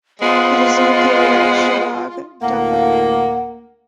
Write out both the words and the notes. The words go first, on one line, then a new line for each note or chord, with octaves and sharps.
It is located at Shahbag, Dhaka.
G#3 B3 F4 C5 F#5
D2 A2 A#3 F#5